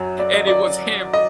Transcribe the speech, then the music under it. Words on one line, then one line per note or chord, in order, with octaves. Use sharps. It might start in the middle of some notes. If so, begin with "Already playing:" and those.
And it was him.
Already playing: F#2 F#3
D5
D#5
D5
D#5